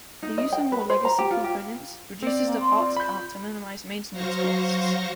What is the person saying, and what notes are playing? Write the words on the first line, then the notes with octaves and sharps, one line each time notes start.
The use of more legacy components reduces the parts count to minimise maintenance costs.
D#4
D#5
G5
B4
C5
A#5
G4
F4
G4
C4 D5
A#3
C6
F4
B5 G6
F#3 C5 F5 C#6 A#6